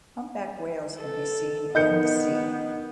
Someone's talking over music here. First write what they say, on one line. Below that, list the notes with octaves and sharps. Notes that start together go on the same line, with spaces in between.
Humpback whales can be seen in the sea.
A4
D#3 B3 D#5 G6 C#7